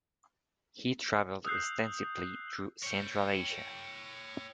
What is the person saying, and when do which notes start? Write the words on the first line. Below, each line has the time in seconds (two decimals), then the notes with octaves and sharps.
He traveled extensively through Central Asia.
1.45 D#6 E6 F#6 G6 C7
2.84 C#5 G5